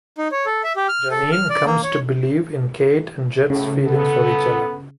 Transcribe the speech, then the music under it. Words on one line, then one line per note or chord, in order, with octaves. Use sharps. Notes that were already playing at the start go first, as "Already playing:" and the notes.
Janine comes to believe in Kate and Jed's feelings for each other.
D#4
C#5
A4
E5
G4
F6
A4
F6
D5
A#3
C#5
B1 A2 C#3
B3 A4